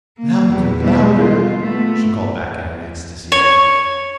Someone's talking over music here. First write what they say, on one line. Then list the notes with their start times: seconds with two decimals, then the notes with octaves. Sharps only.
"Louder, louder!" she called back in an ecstasy.
0.17 A#3
0.50 E2
0.80 B2 G3
1.16 F4
1.61 A3 B3
3.32 C#5